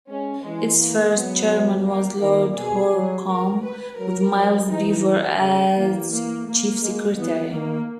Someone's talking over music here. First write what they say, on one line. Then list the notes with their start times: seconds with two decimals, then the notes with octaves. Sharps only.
Its first chairman was Lord Hurcomb, with Miles Beevor as Chief Secretary.
0.09 G#3 C#4
0.45 E3 G#3
0.80 A#3
1.16 F#3 B3
1.87 A#3
2.22 D#3 A#3
2.57 B2 G#4
2.92 F#3
3.29 A#4
3.64 B4
3.98 F#3 A#4
4.34 F#3
4.70 E3 D#4
5.40 C#3
5.75 E3 A#3
6.12 A#3
6.47 A#3
6.82 G#3
7.18 E3 B3
7.52 D#3 A#3